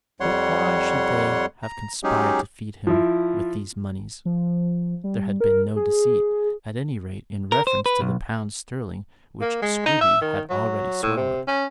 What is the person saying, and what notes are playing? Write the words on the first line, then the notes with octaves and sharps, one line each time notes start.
But why should they have conspired to feed him with these moneys? There had been no deceit, at any rate, in reference to the pounds sterling which Scruby had already swallowed.
F2 G3 C#5 F#5 C6
A#5
F#3 G#3 C#4 D#4 G4 G#4
F3 E4
F3
G3
A#4
G#4
A#4
C5
B4
B1
A#3
G#3
D#4
E5
D#3
F#3
A2
C3
C#4